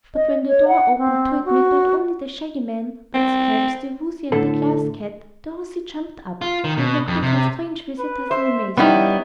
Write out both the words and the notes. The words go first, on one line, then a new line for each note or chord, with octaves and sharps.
But when the door opened to admit not only the Shaggy Man, but Scraps, the Woozy and the Glass Cat, Dorothy jumped up and looked at her strange visitors in amazement.
D#5
C#5
F#5
C4
F#4
C4
A2 D3 A3 A4
F4
D#3
B2
F2
C3
B4
C5 E5
G3 B3 C#4 D#4 E4 G5